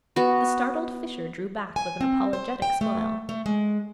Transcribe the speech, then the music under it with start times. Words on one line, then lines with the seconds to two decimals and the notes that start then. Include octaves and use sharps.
The startled Fisher drew back with an apologetic smile.
0.16 B3 F#4
1.76 G#5
2.01 C4
2.33 C5
2.62 G5
2.81 A3
3.29 A3
3.46 G#3